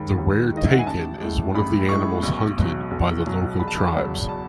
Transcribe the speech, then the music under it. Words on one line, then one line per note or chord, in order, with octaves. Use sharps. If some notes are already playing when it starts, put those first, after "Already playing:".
The rare takin is one of the animals hunted by the local tribes.
Already playing: D#2 D#3 G#3 B5
D#2
D#3 G#3 D#5
E5
F#5
G#5
A1 A5
A2 G#3
A1 B5
A2 G#3 C#6
B1
B2 F#3
B1
B2 F#3
E1 B5
A5
B5
E2 C#3 F#3
A5